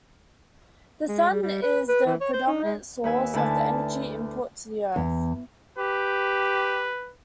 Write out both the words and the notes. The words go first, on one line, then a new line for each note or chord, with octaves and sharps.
The Sun is the predominant source of energy input to the Earth.
G#3
G3
G3
B4
B4
E3
C#5
C5
D#4
G#3
D#2 B4 G#5 E6
D2 D3 E4 B4 G#5 A5
E2
G4 B4